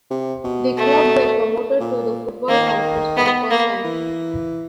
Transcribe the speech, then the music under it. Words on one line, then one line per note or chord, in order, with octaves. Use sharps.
The club were promoted to the Football Conference for the first time.
C3
B2
A3
A#2
D#3 A#3
B3
A#3
E3